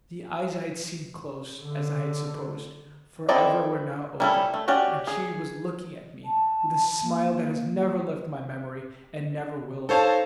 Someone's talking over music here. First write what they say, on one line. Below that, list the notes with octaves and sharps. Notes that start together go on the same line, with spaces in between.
The eyes I had seen close, as I had supposed, forever, were now open, and she was looking at me with a smile that has never left my memory, and never will.
D3
C4 E4 A4 D5 D#5
G3 C#4 E4 G#4 A4
A3
C#4 F#4 G4 D5
G#4
A5
A#3
D#4 A4 C5 C#5 F5 A5